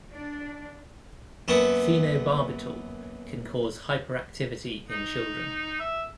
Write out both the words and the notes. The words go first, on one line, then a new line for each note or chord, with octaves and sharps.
Phenobarbital can cause hyperactivity in children.
D4
F#2 A#3 B3 A5 C#6
D#4
E5